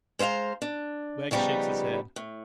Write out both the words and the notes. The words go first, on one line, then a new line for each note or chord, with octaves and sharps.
Wegg shakes his head.
G#3 C5 E5 F5 A#5
D4
C#3 F3 G3 B3 D#4
A2